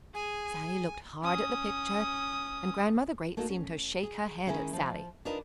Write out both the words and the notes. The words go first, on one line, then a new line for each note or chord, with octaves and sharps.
Sallie looked hard at the picture, and Grandmother Great seemed to shake her head at Sallie.
G#4 G#5
C#4 D#6
A3 A#3 D#4 F#4 A4
C#4
G#4
D#3 G#3 C#4 D#4 E4 G#4
F3
D4 D#4 F4 A#4 B4 D#5